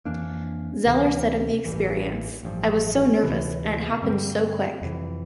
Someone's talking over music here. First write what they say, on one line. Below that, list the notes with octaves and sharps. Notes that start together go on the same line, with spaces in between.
Zellar said of the experience: I was so nervous, and it happened so quick.
F2 E3 A#3 D4
D2 C3 E3
A1 G2 E3
A1 G2 F3
D2 C3 E3
G2 D3 G3 C4
F2 C3 E3